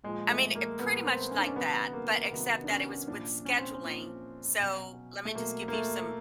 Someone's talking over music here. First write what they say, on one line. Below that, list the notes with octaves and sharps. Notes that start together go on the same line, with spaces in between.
I mean i pretty much like that, but except that it was with scheduling, so, let me just give you some
A#2 F3 G#3
A3
A#3
A#2 F3 B3
C4
C#4
D4
C#4
C3 D#3 F#3 B3
A#3
C3 D#3 F#3 B3
D4
C#4
A#2 F3 D4
C#4
C4
C#4
A#2 F3
B2 F#3
A3
B2 F#3 A#3
A#3
A3